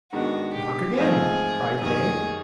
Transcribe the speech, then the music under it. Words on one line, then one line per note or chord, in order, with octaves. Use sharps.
'Knock again!' cried they.
G#2 D#3 G#3 B3 D4 F#4
G4
G#2 F3 A3 C4 F4 G#4
F#2 D#3 G3 G#4